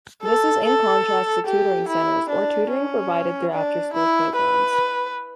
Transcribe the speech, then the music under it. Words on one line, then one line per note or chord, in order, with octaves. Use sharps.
This is in contrast to tutoring centers or tutoring provided through after-school programs.
A4
A4
G4
E4
D4
C#4
D4
E4
B4